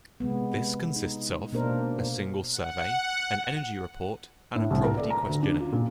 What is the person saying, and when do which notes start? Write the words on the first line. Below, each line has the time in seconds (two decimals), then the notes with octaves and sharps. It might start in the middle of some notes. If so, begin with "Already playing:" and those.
This consists of: a Single Survey, an Energy Report and a Property Questionnaire.
0.20 C3 G#3 B3
0.96 D#4
1.52 B2 A#3 D4 A#4 C5
2.53 F#5
4.55 A2
4.71 C2
4.84 A#4
4.97 D5
5.10 A#5
5.28 D2
5.42 D4
5.59 F4
5.73 A#2